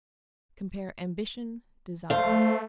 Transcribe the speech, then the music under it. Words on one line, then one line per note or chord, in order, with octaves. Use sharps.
Compare AMBITION; DESIGN.
A3 C5 F5